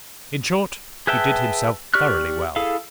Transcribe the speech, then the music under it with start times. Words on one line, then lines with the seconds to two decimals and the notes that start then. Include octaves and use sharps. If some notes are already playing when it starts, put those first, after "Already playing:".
In short, he did himself thoroughly well.
1.07 G#4 B4 E5 G5 A5
1.94 G4 D5 C#6 F6 F#6
2.56 E4 G#4 A4 F5